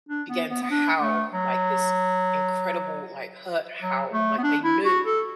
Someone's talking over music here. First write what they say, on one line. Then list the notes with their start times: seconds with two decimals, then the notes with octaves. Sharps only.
began to howl like this incredible, like, hurt howl, like they knew
0.09 D4
0.30 B3
0.51 B3
0.63 B3
0.71 D4
1.02 A3
1.33 F#3
3.82 F#3
4.13 A3
4.38 B3
4.44 D4
4.64 E4
4.85 F#4
5.06 A4